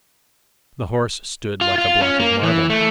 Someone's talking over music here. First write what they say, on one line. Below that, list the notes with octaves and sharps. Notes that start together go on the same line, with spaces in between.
The horse stood like a block of marble.
F4
F4
C#4
A#3
E3
A3